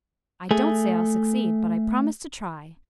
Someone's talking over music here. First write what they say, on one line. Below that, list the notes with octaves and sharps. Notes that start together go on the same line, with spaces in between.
I don't say I'll succeed, but I promise to try.
A3 G#4